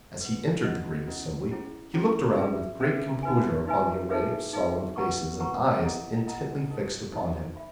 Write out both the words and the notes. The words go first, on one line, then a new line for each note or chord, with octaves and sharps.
As he entered the grave assembly, he looked around with great composure upon the array of solemn faces and eyes intently fixed upon him.
G#4 B4 F#5
C#4 E4 A#4 D#5 F#5
C#4 E4 A#4 D#5 F#5
C#4 E4 G#4 C#5
C#4 E4 G#4 C#5
C#4 G#4 B4 E5
C#4 G#4 B4 E5
D#4 F#4 B4 E5 G#5
D#4 F#4 B4 E5 G#5
D#4 G#4 B4 E5
D#4 G#4 B4 E5
B4 F#5 A#5 C#6
B4 F#5 A#5 C#6
E4 A#4 D#5 F#5 A#5
E4 A#4 D#5 F#5 A#5
D#4 A#4 D#5
D#4 A#4 D#5
E5 B5